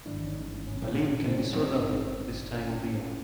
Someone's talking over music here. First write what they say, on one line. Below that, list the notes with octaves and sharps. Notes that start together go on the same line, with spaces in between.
Berlin can be so lovely this time of year.
G#1 G2 E3 G#3 D4 E4
C#4 D#4
C#4
C#4
C#4
C4
C#4
C#4
C4 D4
G#1 G2 D#3
C#4
C#4